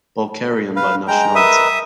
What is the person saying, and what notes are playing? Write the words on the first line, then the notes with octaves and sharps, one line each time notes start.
Balkarian by nationality.
B4 F5
G#3 G5 A#5
A#4 B4 D#5 E5 D#6